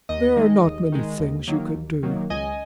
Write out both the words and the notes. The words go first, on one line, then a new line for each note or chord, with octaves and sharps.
"There are not many things you could do."
D#2 D#5
D#3 G#3
D#2
D#3 G#3
D#2
D#3 F#3 A#3
D#2
D#3 F#3 A#3
C#2 D#5 G#5